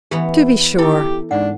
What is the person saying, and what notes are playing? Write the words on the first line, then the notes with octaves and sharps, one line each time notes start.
To be sure!
E3 B3 G4 B5
E4 G4 A4 D6
G#2 D4 F#5